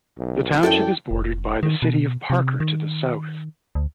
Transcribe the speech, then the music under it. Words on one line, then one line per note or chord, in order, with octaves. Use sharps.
The township is bordered by the city of Parker to the south.
B1
F#2 E4 A4 D5 F#5 G5
F1
D#3
B2
C3
D#3
D2